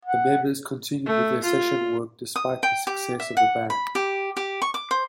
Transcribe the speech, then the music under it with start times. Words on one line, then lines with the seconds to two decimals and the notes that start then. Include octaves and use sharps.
The members continued with their session work despite the success of the band.
0.05 F#5
1.06 A3
1.44 F4
2.36 D#6
2.63 G5
2.87 G4
3.20 E5
3.37 F#5
3.70 B5
3.95 G4
4.37 G4
4.62 C#6
4.74 D6
4.91 C5